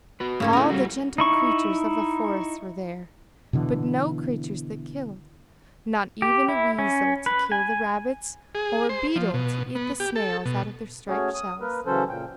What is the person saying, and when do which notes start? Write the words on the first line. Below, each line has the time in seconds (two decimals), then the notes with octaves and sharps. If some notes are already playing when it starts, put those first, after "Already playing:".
All the gentle creatures of a forest were there, but no creatures that killed, not even a weasel to kill the rabbits, or a beetle to eat the snails out of their striped shells.
0.20 F#4 B4
0.40 G#2 C#3 A3 A#3 C#4
0.53 A3 C#4 E4 A#4
0.70 G3 F#4
1.18 D#4 E4 C#6
3.53 B2 D3 E3
6.22 G4
6.48 E4
6.79 C#4
7.26 B4
7.52 G#5
8.55 G#4
8.89 C5
9.16 F3
9.34 B2
9.75 B3
10.00 G4
10.16 A4
10.46 B2
11.08 A3 C#4 F#4 G#4 C#5
11.34 D#6
11.61 A#3 A#4 B4
11.86 C#3 E3 F#3 C#4 A4 C5
12.09 A#2 C#3 G5